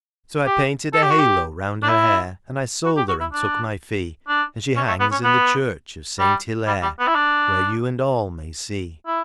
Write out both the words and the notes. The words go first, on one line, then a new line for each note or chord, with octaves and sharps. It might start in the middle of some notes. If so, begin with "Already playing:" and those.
So I painted a halo round her hair, And I sold her, and took my fee, And she hangs in the church of Saint Hilaire, Where you and all may see.
G4
A4
G4
F#4
G4
D4
E4
F#4
G4
F#4
E4
D4
D4
C#4
A3
B3
C#4
B3
G3
G3
G3
B3
E4
D4
E4